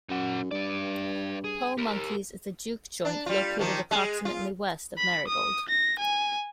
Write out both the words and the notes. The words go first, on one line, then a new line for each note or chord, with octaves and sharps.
Po' Monkey's is a juke joint located approximately west of Merigold.
F#2 D#4 F#5
G2 B4 D5
G#4
G4 A#4
D4
G3 F4
D#3 F3 A#3
G#3 G#4
F4
B5
D#6
A#6
G#5